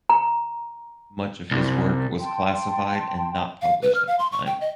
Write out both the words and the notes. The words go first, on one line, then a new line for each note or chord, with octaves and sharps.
Much of his work was classified and not published at the time.
A#5
C2
G5 A5 C6
F5
B4
F6
F5
C6
C#6
G5
D#5